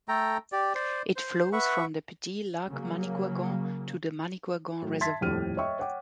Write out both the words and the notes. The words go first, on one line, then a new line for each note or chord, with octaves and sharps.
It flows from the Petit lac Manicouagan to the Manicouagan Reservoir.
A3 A4 G5 A#5
G4 D5
C5 D5
C5
B4 E5 F#5 C#6
C#3 F#3 A#3
A2 F#3
E5 A5 C6 G#6 A6 B6
D#1 F2 A2 G4 F6 D#7
C#5 D#5 E5 G5 C#6
C#5 F#5 G5 D6